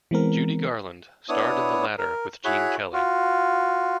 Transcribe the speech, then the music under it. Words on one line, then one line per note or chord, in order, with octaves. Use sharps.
Judy Garland starred in the latter with Gene Kelly.
E3 G#3 B3 C4 A#4
B3 D4 E4 C#5 D#6
A#4
E4 F#4 G#4 C#5 B5 F#6
F4 F#4